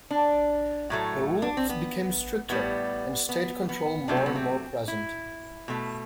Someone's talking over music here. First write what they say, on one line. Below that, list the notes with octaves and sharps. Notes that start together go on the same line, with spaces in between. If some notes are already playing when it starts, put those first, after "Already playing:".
The rules became stricter and State control more and more present.
D4
A2 F#3 A3
D4
C4
B3
A2 G3 B3
B3
B3
C3 F#3 A3 D4
C4
B3
C4
E4
B2 A3